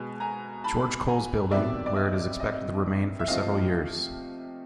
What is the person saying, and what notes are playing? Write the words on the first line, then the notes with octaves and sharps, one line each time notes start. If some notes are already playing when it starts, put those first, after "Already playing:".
George Coles Building, where it is expected to remain for several years.
Already playing: B2 G#3 B3 G#5
G#5 A#5
A5 B5
G#5 A#5
C3 D#3 F#3 B3 D5 E5
D5
D#5
D#5
E5
C3 F3 A3 D#5 F5